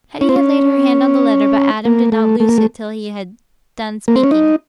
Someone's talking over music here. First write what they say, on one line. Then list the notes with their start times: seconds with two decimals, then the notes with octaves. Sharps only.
Hetty had laid her hand on the letter, but Adam did not loose it till he had done speaking.
0.21 C#4
0.29 C4
0.36 C#4
1.85 A#3
2.12 A3
2.40 A3
2.49 A#3
2.58 A3
4.08 A#3
4.16 C4
4.23 C#4
4.31 D#4